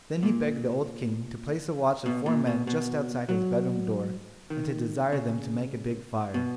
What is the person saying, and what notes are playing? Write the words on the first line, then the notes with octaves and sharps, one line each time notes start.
Then he begged the old King to place a watch of four men just outside his bedroom door, and to desire them to make a big fire.
A#2
B2
A#2
B2
B2
F#3
D#3
C#3
B2